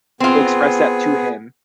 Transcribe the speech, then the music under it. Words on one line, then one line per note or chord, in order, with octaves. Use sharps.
express that to him,
B3 C4 F4 G#4